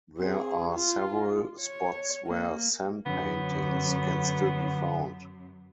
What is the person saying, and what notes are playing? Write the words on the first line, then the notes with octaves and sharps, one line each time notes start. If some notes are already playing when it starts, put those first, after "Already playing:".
There are several spots where San paintings can still be found.
C4 G#4
F4
C#5
A#3
F#2 D3 B3